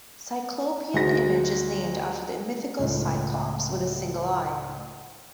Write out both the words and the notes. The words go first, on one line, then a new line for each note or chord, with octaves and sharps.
Cyclopean image is named after the mythical Cyclops with a single eye.
D2 G#3 A#6
C#2 A2